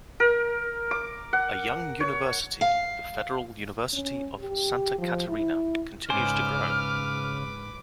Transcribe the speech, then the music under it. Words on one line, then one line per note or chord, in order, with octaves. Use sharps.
A young university, the Federal University of Santa Catarina continues to grow.
A#4
D6
F#5
C#5
F5
C#4
G4
F3
E4
G#2 C#3 B4 C5 G#5 D6 F6